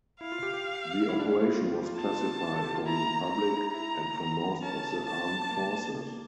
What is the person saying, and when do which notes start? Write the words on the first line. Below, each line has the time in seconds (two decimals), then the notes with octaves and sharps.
The operation was classified from the public and from most of the armed forces.
0.21 E4 F5
0.32 F4
0.43 G4
0.54 G4
1.09 E4
1.19 D4
1.31 C#4
1.41 E4
1.53 F4
1.64 F4
1.75 G4
1.86 F4
1.97 A5
2.55 A4
2.65 G4
2.75 F4
2.86 E4 A#5
3.29 A#5
3.73 E4 A#5
4.62 C#4 A5
5.06 A5
5.51 A#3